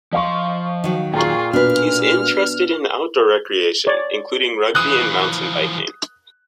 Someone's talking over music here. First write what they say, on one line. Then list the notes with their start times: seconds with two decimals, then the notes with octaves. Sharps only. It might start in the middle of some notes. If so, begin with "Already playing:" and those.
He is interested in outdoor recreation, including rugby and mountain biking.
0.13 F3 D#5 F5 C6 C#6
0.84 D#3 F#3
1.14 A#2 F4 G#4 G5 A#5 C#6
1.53 B2 D4 B4 F6
3.87 C#5 D5
4.75 E3 F3 D#6 F#6